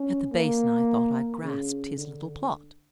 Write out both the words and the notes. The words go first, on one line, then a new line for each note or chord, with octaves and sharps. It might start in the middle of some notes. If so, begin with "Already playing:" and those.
At the basin I thought I grasped his little plot.
Already playing: C#4
A#3
C#3
D3